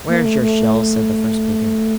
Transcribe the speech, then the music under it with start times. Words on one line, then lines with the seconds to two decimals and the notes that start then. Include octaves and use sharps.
"Where's your shells?" said the first speaker.
0.09 A#3
0.25 A3
0.42 A3